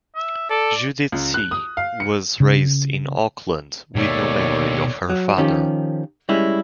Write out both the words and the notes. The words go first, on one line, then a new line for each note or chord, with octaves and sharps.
Judith Seay was raised in Auckland with no memory of her father.
E5
A4 D5
C#2
F#6
D#6
F5
C#7
C#3
D#2 B2 A3 C#5 D5
F#3
D#3 F3 C#4 G4
G3 G#3 C#4 E4